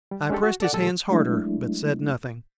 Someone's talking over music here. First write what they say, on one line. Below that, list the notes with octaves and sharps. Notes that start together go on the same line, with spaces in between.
I pressed his hands harder, but said nothing.
G3
G#3 C#4 D4 G4 A4
F#4
A4 D5 F#5
A#2 D#3 G#3 G4 A4
F#3 G#3 A3 D4 E4